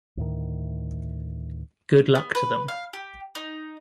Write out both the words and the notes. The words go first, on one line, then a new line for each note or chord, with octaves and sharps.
Good luck to them.
D2 A2 D#3
B3
B4
F5
G4
D#4